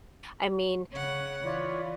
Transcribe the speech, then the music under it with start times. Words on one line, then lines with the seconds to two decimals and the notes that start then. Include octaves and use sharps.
I mean,
0.93 C#3 C#5 F#5
1.45 E3 F4 C#5 D5